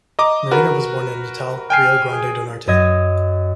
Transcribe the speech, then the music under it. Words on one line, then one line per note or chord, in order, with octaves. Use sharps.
Marinho was born in Natal, Rio Grande do Norte.
D#5 A#5 D6
F#4 A#4 B4
G5 G#5 F6 C7
G#4
F#2 D#5 G#6 A#6